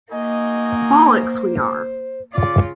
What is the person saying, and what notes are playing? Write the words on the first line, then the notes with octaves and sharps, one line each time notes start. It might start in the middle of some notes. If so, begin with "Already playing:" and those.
Bollocks we are!
A#3 D#4 F#4 D#5 G#5
C5
C#3 F4 D5